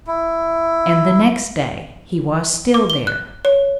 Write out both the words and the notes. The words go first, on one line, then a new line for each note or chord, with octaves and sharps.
And the next day he was still there.
E4
D6
G7
F#6
C#5